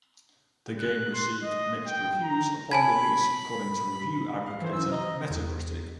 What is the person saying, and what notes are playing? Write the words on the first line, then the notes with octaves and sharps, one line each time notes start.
The game received mixed reviews upon release according to review aggregator Metacritic.
F#6
C6
D#5
G5
A#5
G#5 A5 B5 G#6
F5
E3 C5
F#2 E6
D#5 A#5
E2